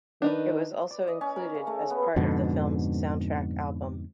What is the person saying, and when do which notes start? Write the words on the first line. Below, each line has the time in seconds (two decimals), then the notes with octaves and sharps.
It was also included as part of the film's soundtrack album.
0.22 D#3 D4 D#4 B4
0.91 D5
1.08 D#5
1.21 C#4
1.36 A#4
1.55 C#3
1.67 A3
1.90 B3
2.16 F2 G#2 B2 D3